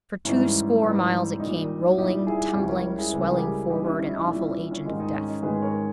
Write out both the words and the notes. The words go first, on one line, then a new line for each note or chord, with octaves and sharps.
For two score miles it came rolling, tumbling, swelling forward, an awful agent of death.
G#2 E3 G3 C#4 E4
G#2 E3 G3
A#2 G3 D#4
E4
A#2 G3 D#4 G4
E4 G#4
G4
C#2 C#3 G3 C#4 E4
A#4 C#5
E4 G#4
C#2 C#3 G3 B4
A#4
G#4
G4 A#4
A#2 G3 D#4 G4
C#4 E4
D#4
E4
D#4
A#2 G3 C#4 E4
C#4
G#2 D#3 G#3 D#4
D#4
C#4
D#4
G#2 D#3 G#3 G#4 B4
A#4 C#5